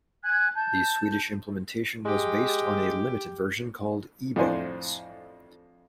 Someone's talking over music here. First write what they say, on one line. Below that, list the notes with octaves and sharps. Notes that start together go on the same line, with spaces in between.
The Swedish implementation was based on a limited version called eBones.
G#5 F#6 G#6
A5 G6
G#3 G4
F2 A2 D4 C5 G#5 C6